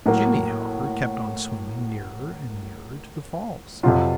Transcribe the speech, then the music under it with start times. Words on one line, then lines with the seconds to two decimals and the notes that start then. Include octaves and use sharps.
Jimmie, however, kept on swimming nearer and nearer to the falls.
0.06 A2 F#3 A#3
3.83 F2 C3 F#3 F4